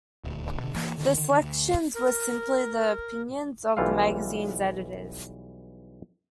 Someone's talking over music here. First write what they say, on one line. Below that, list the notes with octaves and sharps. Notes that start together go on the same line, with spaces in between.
The selections were simply the opinions of the magazine's editors.
D#1 D2
B2 D3
E3 A#3
D3 D#3
D2
A#4
B1 E3 G3 F4 A4 F5